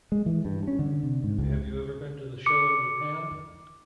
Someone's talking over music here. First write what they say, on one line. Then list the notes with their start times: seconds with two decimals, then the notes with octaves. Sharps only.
Have you ever been to the show in Japan?
0.12 G#3
0.26 E3
0.45 G2
0.68 C#4
0.79 D3
1.03 C3
1.24 G#2
1.38 C#2
2.46 D6 C#7